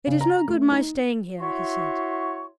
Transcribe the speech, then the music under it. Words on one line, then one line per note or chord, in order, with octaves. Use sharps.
"It is no good my staying here," he said.
C#3
A#5
A3
D#4
E4 F#4 C#5 E5 C6 C#6